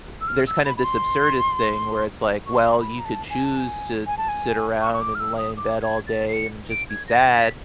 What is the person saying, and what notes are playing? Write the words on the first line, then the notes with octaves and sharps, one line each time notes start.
uh, there's kind of this absurdist thing where it's like, well, you could choose to sit around and lay in bed all day and just be sad
E6
F6
E6
B5
B5
C6
C#6
C6
B5
A#5
A5
G#5
A5
G#5
G#5
A5
G#5
C#6
C#6
D6
F6
E6
D#6
D6
G#6
A6
C7
C#7
D7
G#6
A#6
B6